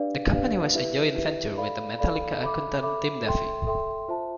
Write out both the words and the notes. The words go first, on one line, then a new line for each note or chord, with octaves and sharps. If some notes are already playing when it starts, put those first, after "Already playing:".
The company was a joint venture with Metallica accountant Tim Duffy.
Already playing: D4 G4 B4 D5 F5
D4 G4 B4 D5 F5
E4 G4 B4 E5
E4 G4 B4 E5
A4 D5 F5 B5
A4 D5 F5 B5
A4 E5 B5 D6
A4 E5 B5 D6
A4 E5 G5 C6
A4 E5 G5 C6
F4 C5 E5 A5